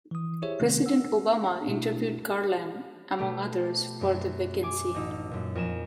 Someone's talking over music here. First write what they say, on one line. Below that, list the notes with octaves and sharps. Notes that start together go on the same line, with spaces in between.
President Obama interviewed Garland, among others, for the vacancy.
E3 D#6
E4 G4 G#4 C5 C#5 E5
C3 D#3 A3 B3 C4
F#5 E6
B2 A3 D4 E4 F#4
B2 A3 G4
F#2
G#5 D6
A1 D#4 E6
F#2 A#2
F2 A#4 G#5 E7